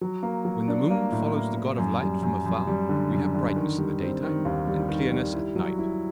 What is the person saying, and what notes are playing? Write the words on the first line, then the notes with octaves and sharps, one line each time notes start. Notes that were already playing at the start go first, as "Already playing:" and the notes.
When the moon follows the god of light from afar, we have brightness in the daytime and clearness at night.
F#3
A#3
F#3
D4
A#3
A2
A#3
A#3
F#2
G3
F#2
F#2
G3
D3
F#2
D3
D#3
G3
C4
D#3
D#2
G3
D#3
G3
E4
F#3
E4